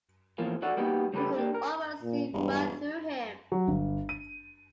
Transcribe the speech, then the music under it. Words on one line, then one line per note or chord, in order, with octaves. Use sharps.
You could almost see right through him.
E2 A2 F3 A#3
F#4 A4 D5 F#5
G3 A#3 B3 D#4 F#4 G4
C#3 G3 A3 G4 A4 B4
A#3 D4 G4
A#4
A#2
E1 G2
F#3
G1
D#7